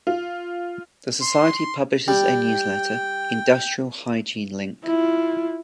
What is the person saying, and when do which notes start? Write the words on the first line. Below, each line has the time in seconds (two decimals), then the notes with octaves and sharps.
The society publishes a newsletter "Industrial Hygiene Link".
0.07 F4
1.21 C6
2.08 G3 G5
4.84 E4 F4